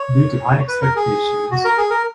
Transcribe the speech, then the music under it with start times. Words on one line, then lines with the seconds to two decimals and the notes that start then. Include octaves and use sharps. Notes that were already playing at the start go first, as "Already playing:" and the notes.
Due to High Expectations...
Already playing: C#5
0.68 B4
0.82 A#4
0.96 G#4
1.51 F#4
1.65 A#4
1.78 G#4
1.90 A#4